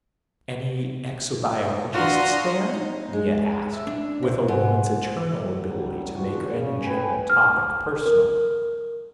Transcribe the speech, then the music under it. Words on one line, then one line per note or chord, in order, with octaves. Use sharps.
"Any exobiologists there?" Lea asked, with a woman's eternal ability to make any general topic personal.
D4 F4 F#4 A#5 C6 D#6
D#4
G#3
E5
D4
C3
G#2
F#2 A2 F#3 G3
G#1 C#2 E3 F3 D4 F#4
C#3
A4 B4 G5 G#5
F6
A#4